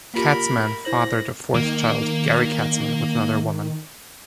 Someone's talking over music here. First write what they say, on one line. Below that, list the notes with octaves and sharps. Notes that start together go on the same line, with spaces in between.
Katzman fathered a fourth child, Gary Katzman, with another woman.
A#3 F4 G4 A#4 B5
E4 C5 A#6 F#7
D#3 A#3